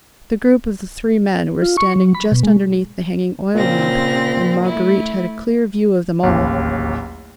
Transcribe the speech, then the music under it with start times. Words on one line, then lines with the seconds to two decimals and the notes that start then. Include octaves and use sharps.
The group of the three men were standing just underneath the hanging oil-lamp, and Marguerite had a clear view of them all.
1.62 F4
1.77 C#6
1.96 F#3
2.15 B5
2.32 B2
2.43 G#3
3.54 A#2 C#3 C4 A#6
4.66 A3 E4
6.23 D1 A1 D#2